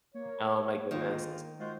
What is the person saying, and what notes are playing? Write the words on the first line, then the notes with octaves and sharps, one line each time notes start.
Oh my goodness.
A#3 C#5
D2 G#2 D#3 F4
G#3 F4 F#4 C5